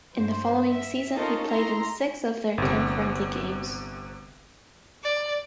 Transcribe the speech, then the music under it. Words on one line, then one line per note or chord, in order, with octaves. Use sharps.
In the following season he played in six of their ten friendly games.
G2 C5
E5
C#4 D#4 F4 A4 A#4 D#5
D#4 E4 A#5 C6
G1 C3
D5